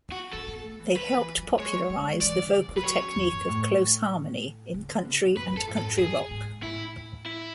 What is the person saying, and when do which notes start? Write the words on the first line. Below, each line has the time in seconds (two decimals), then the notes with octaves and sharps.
They helped popularize the vocal technique of close harmony in country and country-rock.
0.12 F#4
0.33 C#4 A4
0.48 B3
0.64 A3
0.80 E3
0.97 D3 B4
1.17 E3
1.38 F#3
1.59 G#3 C#5
1.90 G#3
2.21 E3 D5
2.38 D3
2.53 C#3
2.69 D3
2.77 B4
2.84 F#3 C#5
3.01 C#3
3.16 E2
3.33 F#2
3.48 A2
4.74 C#3
4.89 D3
5.05 C#3
5.21 B2
5.36 F#2 B4
5.53 F#2 A4
5.67 A2
5.78 A4
5.84 F#2
5.99 F#2 G#4
6.31 G#2
6.63 A2 E4
7.26 E4